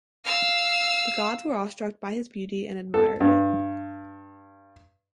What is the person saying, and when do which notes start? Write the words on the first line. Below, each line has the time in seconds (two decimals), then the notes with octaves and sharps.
The gods were awestruck by his beauty and admired it.
0.25 F5 E6
2.94 A4
3.20 G2